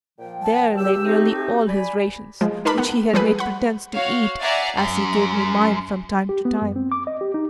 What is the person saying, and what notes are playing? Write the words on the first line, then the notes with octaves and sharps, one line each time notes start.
There lay nearly all his rations, which he had made pretense to eat as he gave me mine from time to time.
A#2 F3 G5
A5
C#2 G4 E6
A3 C4 D#4
D5 G#5 B5
F3 G#3
D#4 A#4 B4 A5 B5 D6
B3 F#5
F3 G3 G#4 A4 B4
F#5 B5
F#4 C#5 F5
D5 E5 F#5 G#5 A#5 C7
F#2
G4
B3
F#2
C4
D6
D#5
G4
D#4